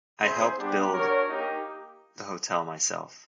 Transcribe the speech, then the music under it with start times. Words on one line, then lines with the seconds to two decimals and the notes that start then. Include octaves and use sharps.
I helped build the hotel myself.
0.20 C4 E4 G#4 C5
0.56 G3 B3 D4 G4
0.92 D4 F#4 A#4 C#5
1.27 A#3 D#4 G4